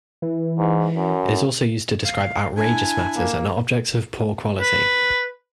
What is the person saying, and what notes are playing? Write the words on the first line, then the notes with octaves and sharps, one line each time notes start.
It is also used to describe outrageous matters and objects of poor quality.
E3
G#2
F#2
F5
D4 E4 G#5
A#3
B4